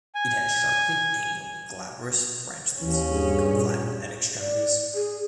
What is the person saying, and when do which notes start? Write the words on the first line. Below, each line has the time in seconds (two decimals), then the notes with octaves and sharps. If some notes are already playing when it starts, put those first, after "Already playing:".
It has sharply angled glabrous branchlets that become flattened at extremities.
0.15 G#5
2.81 D#2 E3 C#4
3.11 G2 G#4
3.45 A#2
4.39 D5
4.95 G#4